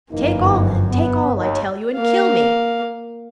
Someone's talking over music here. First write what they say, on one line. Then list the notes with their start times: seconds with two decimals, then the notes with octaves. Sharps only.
"Take all, then--take all, I tell you, and kill me!"
0.12 G1 F#2 E3 A#3 D#4
0.89 B3
1.36 D#2 D#4 C#5
1.96 A#3 F5